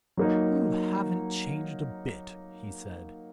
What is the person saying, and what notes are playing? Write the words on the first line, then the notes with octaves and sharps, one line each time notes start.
"You haven't changed a bit," he said.
F#3 A#3 D#4